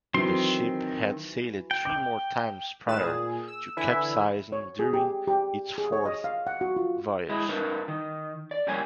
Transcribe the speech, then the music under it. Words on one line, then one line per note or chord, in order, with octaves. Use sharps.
The ship had sailed three more times prior to capsizing during its fourth voyage.
D#3 E3 F#3 C4 C6
G5
D6 G6
A2 D#3 G#3 B4 A6 E7
A#2 G#4
E6
D3 E3 E4 B4 E5 G#5
C#5
G#4
G4
G4
G#4
C#5
D#5
F5
F#5
F#4
F4
G#3 E4
G2 D#4 A#4 B4
D#3
D5
F2 G3 A#3 C#4 G4 G#5